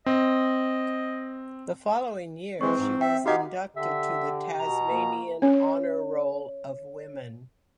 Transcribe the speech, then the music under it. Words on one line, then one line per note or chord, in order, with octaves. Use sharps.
The following year she was inducted to the Tasmanian Honour Roll of Women.
C4 D#5
E3 G#3 C4 C#6
G#2
E5 G5
D#4 F#4 G4 D#5 F5 F#5
D3 G4 E5
B2 A#5
A#3
C#4 C#5